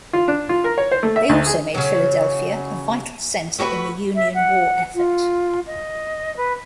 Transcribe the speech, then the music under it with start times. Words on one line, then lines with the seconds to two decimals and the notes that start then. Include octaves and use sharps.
They also made Philadelphia a vital center in the Union war effort.
0.13 F4
0.28 D4
0.49 F4
0.64 A#4
0.78 C#5
0.91 C5
1.03 A3
1.16 E5
1.29 D2
1.46 G#4
1.74 C#3 F#3
3.59 A3 F#4 G4 B4
4.15 E5
4.34 F#5
4.94 F4
5.66 D#5
6.36 B4